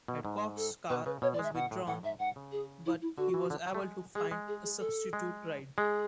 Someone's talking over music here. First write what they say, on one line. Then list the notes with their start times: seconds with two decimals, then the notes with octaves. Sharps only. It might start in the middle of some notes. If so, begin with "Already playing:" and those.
Adcox's car was withdrawn but he was able to find a substitute ride.
0.08 B2
0.25 G#2
0.57 A4
0.89 B2 B4
1.06 C#3 B4
1.22 B2 C#5
1.33 D5
1.39 G#3 E5
1.55 B2 F#5
1.71 A2
1.87 A2 F#5
2.03 G#2 E5
2.19 G#2 F#5
2.36 C#3
2.52 G#4
2.86 E4
3.01 E4
3.18 D3 F#4
3.34 E3
3.50 D3
3.66 F#3
3.74 A3
3.82 G#3
4.15 G#3 G#4
4.31 G#3
4.48 G#4
4.63 G#4
4.80 A4
5.13 G#3
5.78 G#3 G#4